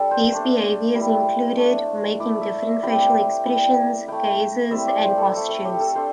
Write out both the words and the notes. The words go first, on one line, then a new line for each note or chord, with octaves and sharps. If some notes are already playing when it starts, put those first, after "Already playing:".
These behaviors included making different facial expressions, gazes, and postures.
Already playing: G3 D4 A4
C5
A3 D4 C5
G3 E4
A3 D4
A3 E4 D5
E5
E5
G3 C4 E4 G5
G5
G3 E4 G5
A3 E4 G5
G3 C4 E4 E5
D5
C5
A4
A3 E4 A4
A4
G4
A4
A3 D4 C5